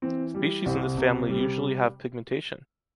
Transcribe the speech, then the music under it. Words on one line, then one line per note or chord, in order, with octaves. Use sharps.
Species in this family usually have pigmentation.
E3 C4
G3
C2 C4
C3
G3